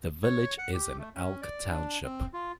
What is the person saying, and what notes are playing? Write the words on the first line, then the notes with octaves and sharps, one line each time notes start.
The village is in Elk Township.
C#5
F#5
G4
A3
C#4
D5
D4
C4
F4